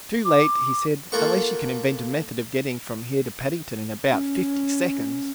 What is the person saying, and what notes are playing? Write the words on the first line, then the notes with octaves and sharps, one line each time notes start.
"Too late," he said, "unless you can invent a method of getting from here to Paddington in about fifty seconds."
D6
A#3 F4 A4 A#4 F#5 C#6
C#4